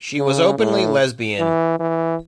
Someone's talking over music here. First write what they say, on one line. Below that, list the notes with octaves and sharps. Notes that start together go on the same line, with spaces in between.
She was openly lesbian.
C#3
A2
E3
E3